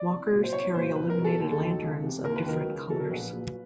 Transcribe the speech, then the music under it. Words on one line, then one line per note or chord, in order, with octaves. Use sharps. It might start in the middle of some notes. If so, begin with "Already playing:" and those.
Walkers carry illuminated lanterns of different colors.
Already playing: D5
C2
A#2 F#3
C5
C2 C#5
A#2 F#3 C5
C2 B4
A#4
B2 F#3
A4
D#2
A4
D#3 F#3
C#2
C3 E3
D#2 A#4
B4
D#3 F#3 A#4
C#2
B2 F#3 A4
A#4
A#1 B4
A#2 F#3